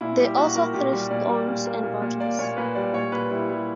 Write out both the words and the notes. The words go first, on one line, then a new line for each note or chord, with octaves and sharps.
They also threw stones and bottles.
A#2 E4
G3 G4
A#2 F#4
A#2 A#4
A#2 G4
G3
A#2 D5
G3
A#2
A#3
A#2
A#2
A#3 D5
A#2 C#5
A#2 B4
G3 D5
A#2 C#5
A#2 B4
G3 E4
G3 E4